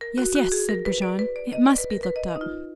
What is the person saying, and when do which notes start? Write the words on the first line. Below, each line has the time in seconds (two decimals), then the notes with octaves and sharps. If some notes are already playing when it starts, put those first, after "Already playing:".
"Yes, yes," said Brujon, "it must be looked up."
0.01 A#4
0.18 F#4
0.35 F#4
0.52 G#4
0.69 A#4
0.85 B4
1.02 D5
1.19 B4
1.36 D5
1.53 D#5
1.66 D5
1.78 B4
1.91 A#4
2.03 B4
2.16 D#5
2.28 D#5
2.36 D#4
2.41 F4